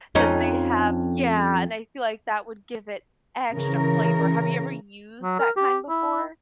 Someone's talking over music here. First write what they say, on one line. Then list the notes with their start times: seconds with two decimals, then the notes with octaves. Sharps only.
'cause they have yeah, and I feel like that would give it extra flavor. Have you ever used that kind before?
0.15 F2 C#4 D#4
3.53 C#3 E3 A#4
5.23 F#3
5.39 A#4
5.57 G4
5.89 E4